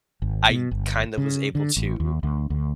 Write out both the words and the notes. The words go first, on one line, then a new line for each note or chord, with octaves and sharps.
I kinda was able to
G#1
B2
G1
C#3
D3
A1
D#2
D2
D2